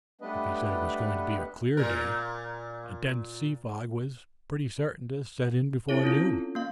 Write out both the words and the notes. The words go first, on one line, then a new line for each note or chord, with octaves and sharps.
If he said it was going to be a clear day, a dense sea-fog was pretty certain to set in before noon.
G3 A3 B3 D4 B4 D#5
A#2 A#4
C4 E4 A4 C#5
C#4 F4 A4
A#3 F5